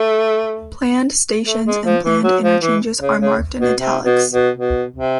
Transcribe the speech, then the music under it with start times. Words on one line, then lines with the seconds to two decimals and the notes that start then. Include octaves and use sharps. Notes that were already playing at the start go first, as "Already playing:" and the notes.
Planned stations and planned interchanges are marked in "italics".
Already playing: A3
1.46 A3
1.66 G#3
1.85 F3
2.04 E3
2.23 F#3
2.43 F3
2.62 E3
3.01 C#3
3.21 C#3
3.60 B2
3.79 C3
4.05 B2
4.31 B2
4.57 B2
4.96 C3